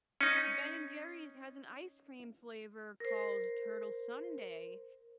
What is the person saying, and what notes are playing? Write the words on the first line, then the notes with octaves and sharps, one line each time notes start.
Ben& Jerry's has an ice cream flavor called Turtle Sundae.
C#4 D#4
A#4 C5